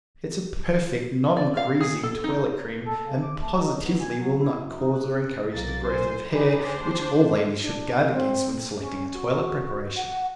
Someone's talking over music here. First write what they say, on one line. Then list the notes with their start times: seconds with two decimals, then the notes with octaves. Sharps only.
It is a perfect non-greasy Toilet Cream and positively will not cause or encourage the growth of hair which all ladies should guard against when selecting a toilet preparation.
1.37 D5
1.57 F5
1.80 G#4
2.03 A4
2.24 D#4
2.86 A4
3.05 C#3
3.22 D6
3.40 A3
3.57 D#4
3.85 B3
4.00 G#5
4.19 F#3
4.40 E4
4.62 F#2
4.79 D#4
4.94 F#6
5.52 B1 A#3 A6
5.85 C5 G#5
6.31 D4 D#4 G4 G#4 B4
6.65 D2 D4 C5
7.61 D4
8.11 C4
8.79 C#4
9.13 F#4
9.96 F#5